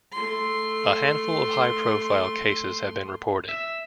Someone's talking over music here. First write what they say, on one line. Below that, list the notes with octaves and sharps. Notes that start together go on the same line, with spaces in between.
A handful of high profile cases have been reported.
A3 C6
E5